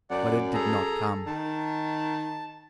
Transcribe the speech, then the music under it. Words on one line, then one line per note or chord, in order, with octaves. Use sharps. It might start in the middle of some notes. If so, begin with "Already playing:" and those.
But it did not come.
F#2 D5 F#5
G#4 A4 A#5
D#3 A5